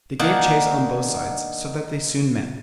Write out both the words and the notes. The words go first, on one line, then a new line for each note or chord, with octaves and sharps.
They gave chase on both sides, so that they soon met.
D#3 A#3 D4 F#5